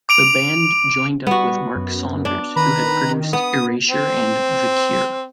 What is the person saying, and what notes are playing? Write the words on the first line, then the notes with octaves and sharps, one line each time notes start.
The band joined up with Mark Saunders, who had produced Erasure and The Cure.
D6 D7 F7
G3 B3 F#4
F#2
D4
D#3 B4 A#5 B5
B3 D#6
C4